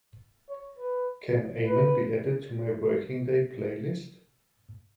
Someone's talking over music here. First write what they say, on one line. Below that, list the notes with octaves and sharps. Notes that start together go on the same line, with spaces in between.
Can amen be added to my working day playlist?
C#5
B4
B4